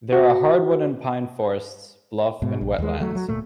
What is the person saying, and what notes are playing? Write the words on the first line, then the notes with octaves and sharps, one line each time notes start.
There are hardwood and pine forests, bluffs and wetlands.
F#4
G#2 B2
A#1
D#2 G#3
F#3 A3
F#3
D1 A#2 A3